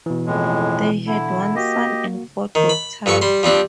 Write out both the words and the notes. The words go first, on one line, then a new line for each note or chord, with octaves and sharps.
They had one son and four daughters.
B2 E3
F2 A2 G#3
D3 E4
A#3 F#4 G4 D#5
D#3
B5
G2 F3 A4 C#6
G3 C6
F3 G3 C4 D4